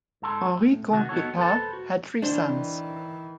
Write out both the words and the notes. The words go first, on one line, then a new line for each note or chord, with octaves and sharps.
Henri comte de Pas had three sons.
G#2 A4 C6
A2
C3 D#3 F#4
B3 D#4 F#4 A4 C#5
A4 B4 C5 A5
F#4
D#3 E3 D4 C5